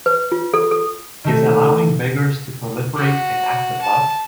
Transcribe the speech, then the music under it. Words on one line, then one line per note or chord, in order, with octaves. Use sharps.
Is allowing beggars to proliferate an act of love?
B4
F4
A4
A4
D#3 A3
F#4
A5